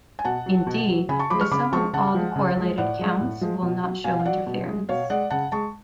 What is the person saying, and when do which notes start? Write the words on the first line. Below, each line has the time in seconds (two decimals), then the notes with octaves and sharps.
In D, the sum of all the correlated counts will not show interference.
0.19 G#5
0.25 B2 F#5 A5
0.46 F#3
0.67 B2
0.88 F#3
1.09 C#3 G#5 B5
1.19 A5 C#6
1.30 F3 G#3 B5 D6
1.40 C#6 F6
1.51 C#3 B5 D6
1.73 F3 G#3 A5 C#6
1.93 C#3 F#5 A5
2.14 F3 G#3
2.36 C#3
2.57 F3 G#3
2.78 A2 D5 F#5
2.99 F3 G#3
3.21 A2
3.41 F3 G#3
3.63 B2
3.83 F#3
4.04 B2 F5 G#5
4.20 F5
4.25 F#3 D5 F#5
4.47 B2
4.68 G#3
4.89 B2 C#5 F5
5.10 G#3 D5 F#5
5.30 C#3 F#5 A5
5.52 G#3 A5 C#6